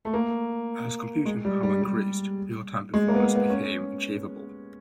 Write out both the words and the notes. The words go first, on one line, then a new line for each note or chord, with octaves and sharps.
As computing power increased, real-time performance became achievable.
A3
A#3
G#3
G3
G3
G3
G#3
A#3
B3
A#3
B3
C#4